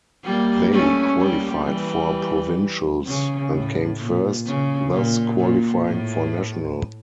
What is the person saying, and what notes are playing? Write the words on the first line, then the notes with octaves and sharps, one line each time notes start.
They qualified for provincials and came first, thus qualifying for national.
G3 A#3
A3 C#4
G3 A#3
E3 G3
C#3
A2
A#2
C#3
A#2
A#2
A2